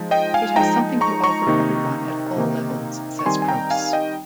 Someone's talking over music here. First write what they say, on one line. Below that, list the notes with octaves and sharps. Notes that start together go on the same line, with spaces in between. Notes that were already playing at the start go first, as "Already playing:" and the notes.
It has something to offer everyone at all levels, says Crouse.
Already playing: F3 G#3 D#4
D#5 G5
F5 G#5
F3 G#3 D#4 G5 A#5
A#5 C#6
A#5 C#6
C3 D#3 A#3 D#4
C3 D#3 A#3 D#4
C#6
D#3 G3 C4 D#4 G#5 C6
G#5
G5 A#5
F5 G#5
D#5 G5